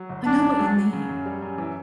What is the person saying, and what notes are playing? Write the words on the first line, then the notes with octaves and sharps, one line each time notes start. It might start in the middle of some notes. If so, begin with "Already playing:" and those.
I know what you mean.
Already playing: F#3
G1
F#2 D4
C#3
F#3
F#3
C#3
F#2
G3
F#2
E3